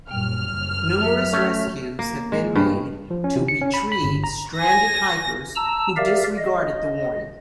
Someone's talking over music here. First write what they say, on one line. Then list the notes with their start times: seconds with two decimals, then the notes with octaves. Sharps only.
Numerous rescues have been made to retrieve stranded hikers who disregarded the warning.
0.11 F#2 A#2 G3 G5 F6
0.49 F#1 F#2
1.01 F#3 E5 A5
1.33 A3 C#4
1.99 A#3
2.32 G#3
2.55 G2
3.11 F3
3.24 C#4
3.36 C3
3.48 C#7
3.62 C#4
3.74 B5
3.92 B5
4.03 G1
4.24 A#5
4.57 G#5 A#6
5.56 A5 A#5 E6
5.97 G4 A#4 D5 E5 F5
6.38 D#5